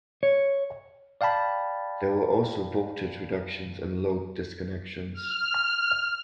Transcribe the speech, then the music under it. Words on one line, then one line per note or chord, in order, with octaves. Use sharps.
There were also voltage reductions and load disconnections.
C#5
D5 F5 G5 A5 B5
F6